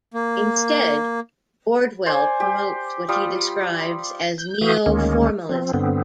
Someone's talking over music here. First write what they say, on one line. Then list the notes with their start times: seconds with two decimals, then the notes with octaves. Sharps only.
Instead, Bordwell promotes what he describes as neoformalism.
0.14 A#3
2.06 C5 D5 G#5
2.40 G4
3.08 G3 F4 D#6
4.38 G6
4.61 E3 F#4 E5 F5 D#6 G6
4.86 D2 D#3 G#3 A#3 C#4
5.49 F3 C4
5.74 G2 D3 B3 C4